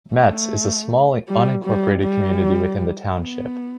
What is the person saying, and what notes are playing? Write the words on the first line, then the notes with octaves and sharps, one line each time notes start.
Metz is a small unincorporated community within the township.
A3
G3
G3
G3
B3